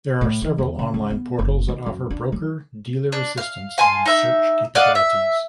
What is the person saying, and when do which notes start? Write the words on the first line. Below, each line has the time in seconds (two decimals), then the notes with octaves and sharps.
There are several online portals that offer broker dealer assistance and search capabilities.
0.21 A2
0.42 E3
0.58 E2
0.79 C#3
0.94 C#2
1.11 B3
1.39 F#1
1.68 D#3
1.86 F#2
2.10 D4
2.32 F#3
3.12 D4
3.37 F5
3.78 F5 G#5 A5 C6
4.06 D#4 E5 E6
4.75 D5 D#5 F5 F#5
4.95 E5